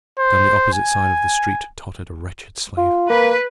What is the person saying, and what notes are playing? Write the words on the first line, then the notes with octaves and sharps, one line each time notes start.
Down the opposite side of the street tottered a wretched slave.
C5
G#5
F4
A#3 B4